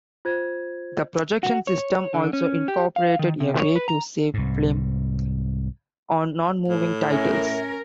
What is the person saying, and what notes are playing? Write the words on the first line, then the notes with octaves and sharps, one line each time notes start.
The projection system also incorporated a way to save film on non-moving titles.
F4 C5 G#6
F#4
C#5
D3
C#4
G4
F5
D#3
C3
C#5
B4
A#5
C2 G#2
A2
C#4 A#4 E5 G#5